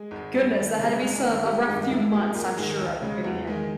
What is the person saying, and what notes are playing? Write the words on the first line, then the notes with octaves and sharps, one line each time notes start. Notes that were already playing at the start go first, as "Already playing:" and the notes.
goodness, that had to be some a rough few months, I'm sure, of getting him
Already playing: G#3 G#4
G#1
G2 G3
D#2
C#3 G3
G1 G#3 G#4
G2 D#3 A#3 A#4
G1 G4
G2 D#3 G#3 G4
B1 E4
A#2 G#3 G4
G#1 A#3 A#4
G#2 D#3 G#3 G#4
C#2
C#3 G#3
E2
D#3 G#3